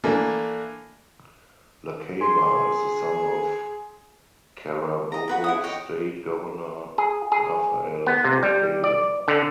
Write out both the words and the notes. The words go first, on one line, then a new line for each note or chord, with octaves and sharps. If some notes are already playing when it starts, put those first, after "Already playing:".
Lacava is the son of Carabobo state governor Rafael Lacava.
E3 A3 A#3 D4
G#4 C6
D#5 A#5
F#4 B4 A#5
E4 F#5 D#6
C#5 D#5 G5
G#4
G#4
B3
C3
G3
D5
D3